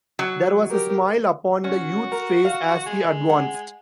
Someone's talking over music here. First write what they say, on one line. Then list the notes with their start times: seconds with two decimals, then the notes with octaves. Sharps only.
There was a smile upon the youth’s face as he advanced.
0.19 F#3
0.70 G4 A#4
1.64 C#4 F#4
2.12 A#4
2.45 F5
2.86 G#3
3.29 F#5